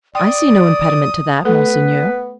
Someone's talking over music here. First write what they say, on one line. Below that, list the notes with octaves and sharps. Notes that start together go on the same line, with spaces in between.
"I see no impediment to that, monseigneur."
D5 G5 D#6
A3 B3 A4 B4